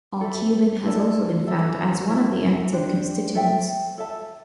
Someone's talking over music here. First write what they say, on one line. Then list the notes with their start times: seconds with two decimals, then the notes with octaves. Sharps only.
Aucubin has also been found as one the active constituents.
0.21 A4 C5 E5
0.84 E4 A4 D5 A5
1.47 A4 E5 A5
2.09 E4 C5 E5 A5
2.72 D4 G4 C5
3.35 A4 E5 G5
3.98 A4 E5 A5